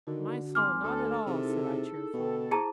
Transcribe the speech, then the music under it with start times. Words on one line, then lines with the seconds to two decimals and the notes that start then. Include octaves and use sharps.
'My soul, not at all!' said I, cheerfully.
0.07 D3 D#3 F#4
0.55 G#1 G#5 C6 D6 F6
0.84 D2 A4
1.27 C3 D#4 E4 G#4
2.14 B2 B4 G5
2.51 E4 G#4 C5 A5 A#5 D6